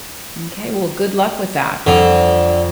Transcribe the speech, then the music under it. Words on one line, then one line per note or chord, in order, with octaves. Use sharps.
M'kay. Well, good luck with that.
F2 D3